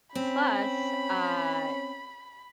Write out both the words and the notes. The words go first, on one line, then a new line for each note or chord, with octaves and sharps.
plus, uh,
C4 C#4 B5